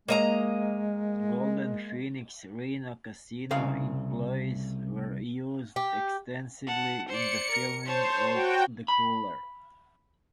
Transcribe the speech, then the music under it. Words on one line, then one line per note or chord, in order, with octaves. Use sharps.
Golden Phoenix Reno casino employees were used extensively in the filming of "The Cooler".
G#3 A#3 D#5 A#5
C2 C#3 F5
G4
F#5 A5
C5 D5 C#7
A#4
C5 C#5 A5
F#4 G5
B5